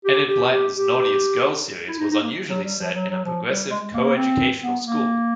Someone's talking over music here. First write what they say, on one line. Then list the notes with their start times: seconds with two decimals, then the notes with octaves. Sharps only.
Enid Blyton's Naughtiest Girl series was unusually set in a progressive coeducational school.
0.05 G4
0.28 G4
0.51 G4
0.74 G4
1.88 E4
1.99 D#4
2.11 D#4
2.22 A#3
2.49 F#3
2.64 G3
2.79 F3
2.95 F#3
3.10 F#3
3.25 F3
3.48 G3
3.70 G#3
3.94 A#3
4.04 A#3
4.16 C4
4.61 B3
4.85 A#3